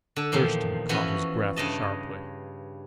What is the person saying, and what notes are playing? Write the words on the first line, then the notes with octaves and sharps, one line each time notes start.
Thurston caught his breath sharply.
D3 A4
E2 A#2 D#3 F3
E3 F3 C#4 F#4 B4 C#5
G2 C#3 D#5 A5